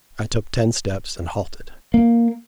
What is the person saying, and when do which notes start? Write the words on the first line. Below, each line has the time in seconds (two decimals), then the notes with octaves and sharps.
I took ten steps, and halted.
1.94 A#3